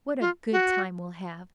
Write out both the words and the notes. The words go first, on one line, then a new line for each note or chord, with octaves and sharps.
What a good time we'll have!
F4
F#4